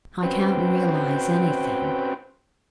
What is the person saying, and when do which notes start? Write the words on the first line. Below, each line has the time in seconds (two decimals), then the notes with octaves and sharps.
I can't realise anything.
0.23 C4 C#4 F#4 B4 C5 G5